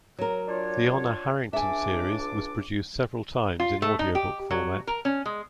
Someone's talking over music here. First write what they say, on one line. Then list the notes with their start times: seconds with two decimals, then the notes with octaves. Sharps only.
The Honor Harrington series was produced several times in audiobook format.
0.18 F#3 A#4
0.48 D4 F4 C#5
1.53 C#2 D4 E5 G#5 D6
3.60 F4
3.82 A3
3.99 D#4
4.15 G4
4.51 F#3
4.87 A#4
5.05 C#4
5.26 G#3